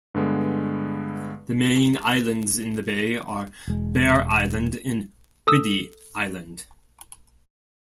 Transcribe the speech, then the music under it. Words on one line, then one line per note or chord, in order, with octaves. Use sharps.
The main islands in the bay are Bere Island and Whiddy Island.
G2 D3 G#3 B3
E1 G#3
A4 D#6 E6